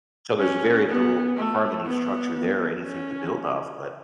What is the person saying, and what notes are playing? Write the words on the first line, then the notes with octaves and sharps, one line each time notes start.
So there's very little harmony structure there or anything to build off, but
C#4
B3
A3
B3
C#4